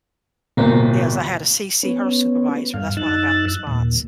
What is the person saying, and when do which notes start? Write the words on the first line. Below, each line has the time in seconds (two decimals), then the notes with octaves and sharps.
is I had to CC her supervisor. That's when I got a response.
0.57 D1 G1 B2 A#3 C5
1.83 B3 C#4
2.74 G2 F5
2.97 F#2 D#4 E6 F#6 A6
3.67 D#2 A#2